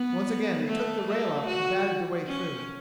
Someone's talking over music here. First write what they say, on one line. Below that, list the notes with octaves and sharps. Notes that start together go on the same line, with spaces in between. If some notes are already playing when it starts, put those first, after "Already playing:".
Once again they took the rail up and battered their way through.
Already playing: B3
A3
A3
F#4
C#4